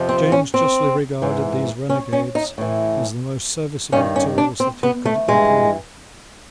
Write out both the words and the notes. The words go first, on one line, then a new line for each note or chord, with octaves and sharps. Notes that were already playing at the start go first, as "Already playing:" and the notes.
James justly regarded these renegades as the most serviceable tools that he could employ.
Already playing: F2 C3 F3
C4
C#4
C4
G#2 E3
C#4
C#4
D#4
A2 E3
G2 D#3 C#4
C#4
D4
C4
B3
A3
G2 E3 G#3